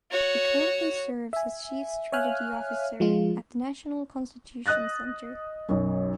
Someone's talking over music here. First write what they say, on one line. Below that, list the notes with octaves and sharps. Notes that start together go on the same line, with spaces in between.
He currently serves as Chief Strategy Officer at the National Constitution Center.
F#4 C#5
E5 G#5
C#5 E5 F5 G#5 F6 F#6
F3 G#3 F4
D#5 D#6 F#6 A6 A#6
B1 F#2